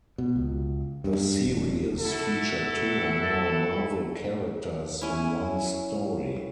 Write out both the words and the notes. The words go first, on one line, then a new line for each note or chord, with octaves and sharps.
The series featured two or more Marvel characters in one story.
B2
C#2
G2
E1
E4 F#4 A4
C#4 E4